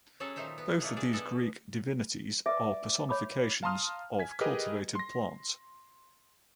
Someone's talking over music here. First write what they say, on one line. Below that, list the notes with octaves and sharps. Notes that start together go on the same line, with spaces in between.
Both of these Greek divinities are personifications of cultivated plants.
F#3 C#4 G#4 A4
A#2 D#3 A3 D#4 C5 E5
B3
B2 A3 A#3 G#4 C#5 F#5
D4 G#4 D5
B2 B3 G#4 A4
B4 D5 E5
C#5 B5 D6
F5 A5 A#5 C6 D#6 F6
G#5 G#6 B6
G4 G#4 A#4 B4 D#5
C6 A#6